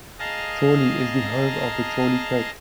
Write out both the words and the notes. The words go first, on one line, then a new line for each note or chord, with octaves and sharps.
Chorley is the home of the Chorley cake.
G#4 D#5 F5 A5 A#5 F6